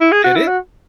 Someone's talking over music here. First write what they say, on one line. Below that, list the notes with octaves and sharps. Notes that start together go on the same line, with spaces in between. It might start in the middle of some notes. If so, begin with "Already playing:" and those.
Did it?
E4
G#4
F#4
E4
F#4